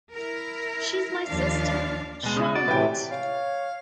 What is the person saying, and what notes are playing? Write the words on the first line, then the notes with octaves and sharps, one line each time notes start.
She's my sister, Charlotte.
E4 A#4
D#2 F3 D4 F5
B2 G#3
C#3 D#6
F#4 D5
A2 C3 E3 B4 E5 G5
C#5 F5